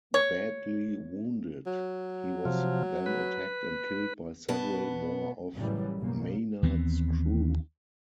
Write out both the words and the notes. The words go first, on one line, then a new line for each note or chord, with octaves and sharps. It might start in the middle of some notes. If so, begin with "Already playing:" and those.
Badly wounded, he was then attacked and killed by several more of Maynard's crew.
C#5
F#3
C3 F3
B4
B2 B3 A5
A1 F#2 A2 C#3 E3 G3
B1 F#2 A#3
D#2 E3 B3 C4